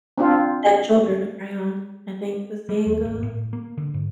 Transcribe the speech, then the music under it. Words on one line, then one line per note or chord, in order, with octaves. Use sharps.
"That shoulder to cry on," I think, the saying goes.
C4 D4 F4
G3
D#2
G#1
A2
A#3
D3
G#2